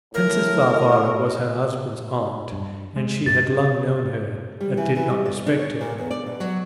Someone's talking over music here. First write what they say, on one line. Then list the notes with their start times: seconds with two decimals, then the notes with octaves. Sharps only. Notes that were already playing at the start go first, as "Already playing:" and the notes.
Princess Varvara was her husband's aunt, and she had long known her, and did not respect her.
0.14 A2 A#4
2.52 G2
2.96 G#3
3.26 G2 C3 A6
4.61 G3
4.77 E3
4.96 E3
5.10 G3
5.26 D5
5.46 D4
5.59 C#5
5.81 A#2
5.98 E2
6.11 D5
6.26 B2
6.40 F#3